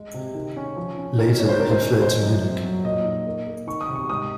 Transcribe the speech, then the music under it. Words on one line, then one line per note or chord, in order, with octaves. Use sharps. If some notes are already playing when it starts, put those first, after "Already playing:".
Later, he fled to Munich.
Already playing: G#3
C3
D#3
C#4
F3
C#4
D#3 A#4
A#3 C#5
C5
D#3 A#4
C5
C#4
G#3 C5
F#2
F2
F#3
A#2 D#5
D#4
A#3
A#3
D#3 C#6
D#6
C3
C#6
G#2 D#6